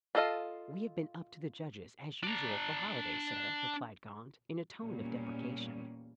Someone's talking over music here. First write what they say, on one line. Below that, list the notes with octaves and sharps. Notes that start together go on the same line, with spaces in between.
"We have been up to the judges, as usual, for holiday, sir," replied Gaunt, in a tone of deprecation.
D4 F4 A4 D#5 F5
D4 A#5
E2 A#2 G3 A#3 C#4